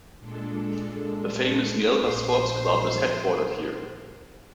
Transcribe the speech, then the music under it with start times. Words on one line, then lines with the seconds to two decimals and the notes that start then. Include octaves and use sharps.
The famous Nielba Sports Club is headquartered here.
0.20 A#2 G#3 D4 A4
2.04 A#1 C5